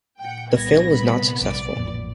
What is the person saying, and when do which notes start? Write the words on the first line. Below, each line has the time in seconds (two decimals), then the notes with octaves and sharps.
The film was not successful.
0.20 A#2 F#5 G5
0.51 C2 B3 G#6 A#6
0.90 B5
1.41 A#1 C3 D5
1.77 A1 F2 A#2